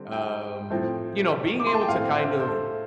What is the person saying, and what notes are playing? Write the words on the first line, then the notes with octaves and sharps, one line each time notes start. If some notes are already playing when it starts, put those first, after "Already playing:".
Um, you know, being able to kind of
Already playing: D3 G3 C4
G5
A2 F3 A3 C4
D6
C6
A5
G5
A2 A3 C4 F5
C5
C5
A4